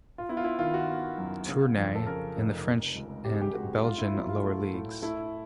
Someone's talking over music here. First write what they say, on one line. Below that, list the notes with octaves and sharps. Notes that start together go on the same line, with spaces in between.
Tournai in the French and Belgian lower leagues.
F4
B3 E4
F4
E4
D#3 F4
F#4
B3
F#2
C#3
F2
A4
C#3 A#4
F1
C3
C#2
C3 G4
G#4
G4
G#3 F#4
A3 F4
E4
F#3
F4
A3
A2
A3 E4